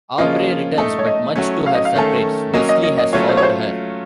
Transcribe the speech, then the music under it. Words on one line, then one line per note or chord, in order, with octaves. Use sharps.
Aubrey returns, but much to her surprise, Wesley has followed her.
C#3 F3 A#3 C#4 F4 D#5
D#5
A3 D#4 A4
C#5
D#5
F#3 A3 C#4
F5
D#5
F5
D#3 A3 C#4 A4
F#3 A#3 C#4 D#5
D#5
D#5
D#5
F#3 A3 C#4 F4 C#5
C5
C#5
C5